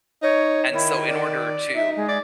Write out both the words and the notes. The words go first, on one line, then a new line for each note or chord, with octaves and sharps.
and so, in order to
D#4 C#5
D#3 E4
D5
D#4 E5
G#3
D5